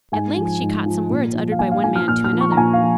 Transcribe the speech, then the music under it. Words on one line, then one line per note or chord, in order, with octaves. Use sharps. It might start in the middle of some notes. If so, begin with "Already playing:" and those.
At length she caught some words uttered by one man to another.
G#2 G#5
F3
G#2
F3
A#2
F3
F5
A#2 G#5
F5
F3 G#5
F6
A#2 F6
F6
F3
C#6
A#5
A#2 G#5
F5
F3